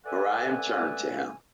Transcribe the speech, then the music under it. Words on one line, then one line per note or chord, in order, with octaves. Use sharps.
Miriam turned to him.
A4 B4 D5 E5 F#5 G#5